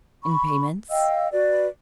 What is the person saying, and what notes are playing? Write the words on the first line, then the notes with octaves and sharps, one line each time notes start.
"In payments."
B5 C#6
D#5 F5 G5 E6
F#4 B4 D5